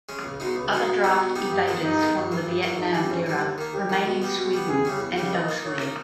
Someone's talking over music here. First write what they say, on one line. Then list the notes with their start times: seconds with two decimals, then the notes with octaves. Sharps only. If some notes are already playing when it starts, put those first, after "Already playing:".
Other draft evaders from the Vietnam era remain in Sweden and elsewhere.
0.09 G#3 C#4
0.24 C#2
0.40 B2 G#3 D#4
0.56 C#2 B4
0.72 B2 G#3 D#4
0.88 B2
1.04 G3 B3 D#4
1.20 B2
1.36 G3 B3 D#4
1.52 G2 G4
1.67 D#3 G#3 B3
1.83 G2 D#4
1.99 D#3 G#3 B3
2.16 G2
2.31 E3 A#3
2.46 G2
2.63 E3 A#3
2.78 G#2 D#4
2.94 E3 G3
3.10 G#2 C#4
3.26 E3 G3
3.42 D#2
3.58 D#3 A#3
3.74 D#2 G4
3.90 D#3 A#3
4.06 B2
4.22 G3 B3
4.37 B2
4.53 G3 B3
4.68 E2 G#4
4.85 C#3 G3 C#4
5.00 E2
5.16 C#3 G3 C#4
5.33 A#2 D#5
5.49 A#3 D#4
5.64 A#2 C#5
5.79 A#3 D#4